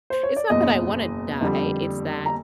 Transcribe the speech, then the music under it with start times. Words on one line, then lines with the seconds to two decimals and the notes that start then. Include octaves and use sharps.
It's not that I wanna die it's that
0.10 C5
0.23 C#5
0.37 D5
0.50 F#1 E2 B2 D#5
1.41 F2 D3 G3
2.26 A#5